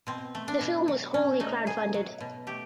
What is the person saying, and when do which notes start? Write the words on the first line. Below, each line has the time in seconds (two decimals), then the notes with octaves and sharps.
The film was wholly crowdfunded.
0.07 B2 C4
0.35 A3
0.48 D4
0.61 B2
0.88 F#3
1.14 B2 C#4
1.40 A3 D#4
1.66 B2 G#4
1.94 F#3
2.20 B2
2.47 A3 G4